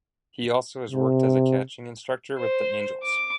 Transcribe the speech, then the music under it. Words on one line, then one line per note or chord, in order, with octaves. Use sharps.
He also has worked as a catching instructor with the Angels.
C3
C5
D6